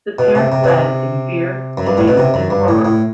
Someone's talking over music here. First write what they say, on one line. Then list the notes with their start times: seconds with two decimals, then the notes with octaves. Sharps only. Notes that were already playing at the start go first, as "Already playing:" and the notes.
The pair fled in fear, shame, and horror.
0.19 B2
0.35 C3
0.52 C3
0.64 B2
0.68 C3
1.77 F#2
1.87 G2
1.97 A2
2.08 B2
2.18 C3
2.34 F#2
2.50 G2
2.68 A2
2.85 A2